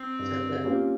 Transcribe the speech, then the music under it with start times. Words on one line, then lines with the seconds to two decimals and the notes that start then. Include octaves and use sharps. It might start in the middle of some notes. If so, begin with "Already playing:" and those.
So good.
Already playing: C4
0.19 G2
0.64 G3 A#3 C#4 F4